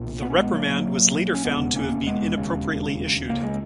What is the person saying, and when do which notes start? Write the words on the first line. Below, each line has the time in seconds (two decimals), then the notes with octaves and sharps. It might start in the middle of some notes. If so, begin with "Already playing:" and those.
The reprimand was later found to have been inappropriately issued.
Already playing: B1 A#2
0.22 B3
0.30 C#4
0.38 G#3 B3
0.53 B1 A#2 F#3 A#3
1.34 C#4
1.45 E1 D#2 C#3 G#3 B3
1.76 A#3 C#4
2.06 G#3 B3
2.37 E1 D#2 C#3
3.29 C#2 C#3 A#3
3.43 G#3